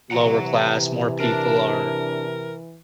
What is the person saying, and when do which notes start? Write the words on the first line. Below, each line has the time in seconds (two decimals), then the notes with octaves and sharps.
lower class, more people are
0.11 C3 E3 F#5 A#5
1.20 D4 A#4